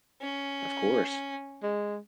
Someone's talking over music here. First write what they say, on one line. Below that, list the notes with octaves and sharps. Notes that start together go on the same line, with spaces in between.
Of course.
C#4
G#3